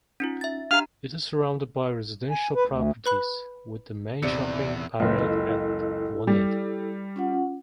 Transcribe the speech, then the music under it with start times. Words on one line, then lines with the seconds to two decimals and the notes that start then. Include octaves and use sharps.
It is surrounded by residential properties, with the main shopping parade at one end.
0.20 C#4 D#4 F4
0.41 E5 A6
0.71 D4 G4 F5 A#5 F6
2.31 G#5
2.55 B4
2.69 D2
3.06 B4 B5 F#6
4.23 D#1 E2 C3 D5 C#7
5.00 F#1 C#2 B4
5.18 E4 A4 E6
6.27 G3
7.16 C#4 F4 F#5